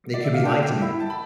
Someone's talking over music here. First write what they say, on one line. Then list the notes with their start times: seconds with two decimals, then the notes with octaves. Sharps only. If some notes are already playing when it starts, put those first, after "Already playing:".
They could be lying to me.
0.14 D5
0.24 E5
0.34 F5
0.44 D4 G5
0.63 G5
0.82 E4 E5
1.00 A5
1.10 B5